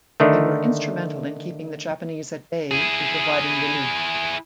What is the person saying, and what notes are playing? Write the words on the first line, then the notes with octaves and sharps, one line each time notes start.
They were instrumental in keeping the Japanese at bay and providing relief.
D3 D#3 A3
E4 G#4